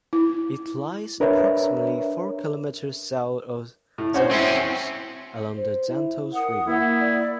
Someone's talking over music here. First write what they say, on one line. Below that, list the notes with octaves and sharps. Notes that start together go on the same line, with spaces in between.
It lies approximately four kilometres south of Xanthos along the Xanthos River.
E4
D4 A#4 B4 C#5 E5
A2
C#4 F#4 C5
C4 C#4 E4 E5 C6
C5
E4
A#4 F#5 D#6
A#3 E4
D5